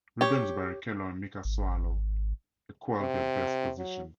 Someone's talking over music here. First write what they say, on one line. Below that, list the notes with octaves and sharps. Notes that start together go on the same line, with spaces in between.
Rubens Barrichello and Mika Salo equalled their best positions.
G4 C#5
G#1
C3
F#3